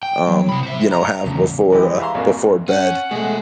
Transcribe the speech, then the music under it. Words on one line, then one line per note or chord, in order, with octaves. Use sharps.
um, you know, have before, uh before bed.
G5
F#3
C3 B5
C5 E5
A#5
E2 C#3
E3 G#3 G4
E5 F5 A#5 C6
G#1 F2 A#3
C#4 F#5
B2 G#3 A3 G#4